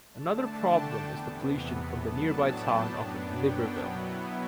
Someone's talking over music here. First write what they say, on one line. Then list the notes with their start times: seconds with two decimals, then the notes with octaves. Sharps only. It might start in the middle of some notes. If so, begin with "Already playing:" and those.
Another problem is the pollution from the nearby town of Libreville.
0.11 D3 A3 D4 A5
0.57 G5
1.02 E2 C3 E3 B3
1.93 A2 F#3 B3 D4 A5
2.38 G5
2.84 F#2 F#3 B3 D4
3.30 G5
3.75 B2 F#3 B3 E4